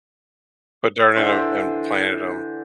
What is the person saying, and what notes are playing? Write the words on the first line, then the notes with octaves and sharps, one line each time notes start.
put dirt in 'em and planted 'em.
D3 E3 C5